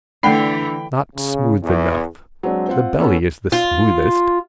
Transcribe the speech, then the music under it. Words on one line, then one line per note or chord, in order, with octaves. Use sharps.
Not smooth enough. The belly is the smoothest.
D3 E3 A3 D4 F#5 G5 B5 C7
C#3
E2
F#3 G#3 C4 D4
C4 F4 F#5
B3 C#4 A4
F4